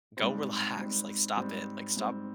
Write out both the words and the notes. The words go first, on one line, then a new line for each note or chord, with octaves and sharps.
go relax. Like, stop it. Like, stop
G#2 G3 C4
G#2 G3 C4
G#2 G3 C4
G#2 G3 C4